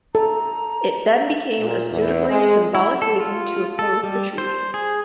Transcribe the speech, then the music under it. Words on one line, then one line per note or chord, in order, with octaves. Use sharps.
It then became a suitably symbolic reason to oppose the Treaty.
A4 A#5
A#2
E2
G#3
E4
A4
F4
A4
G3
C5
G#4